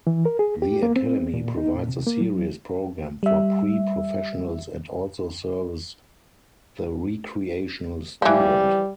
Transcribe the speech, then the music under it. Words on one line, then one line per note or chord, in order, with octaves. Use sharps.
The academy provides a serious program for pre-professionals and also serves the recreational student.
E3
A#4
G#4
G4
A#3
C4
A#2
D#4
A#2
C3
A#3
F#3
G3 E5
E3 F3 G3